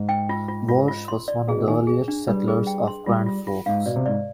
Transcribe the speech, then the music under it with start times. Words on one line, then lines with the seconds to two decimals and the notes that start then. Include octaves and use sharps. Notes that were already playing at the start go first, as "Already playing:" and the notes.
Walsh was one of the earliest settlers of Grand Forks.
Already playing: G#2
0.09 G5
0.29 F4
0.48 F4
0.69 F4
0.88 F4
1.08 C6
1.28 D5
1.47 B2 G#4
1.58 B2
1.67 D#3 G#5
1.87 G#4
2.08 D4
2.28 G3 B4
2.48 G#4
2.67 G5
2.87 C6
3.06 G3 F4
3.26 F4
3.47 F4
3.66 G#2 F5
3.86 B2 D5
3.96 C3
4.06 G#2 D5